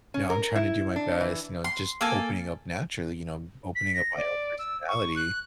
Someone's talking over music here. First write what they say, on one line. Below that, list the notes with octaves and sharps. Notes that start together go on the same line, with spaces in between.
you know, I'm trying to do my best, you know, just opening up naturally, you know, opening up my own personality.
C#4
A#4
E4
D4
E3
C6
A#3 A4 G#5
B6
A#6
D5
E6
C#6
F#6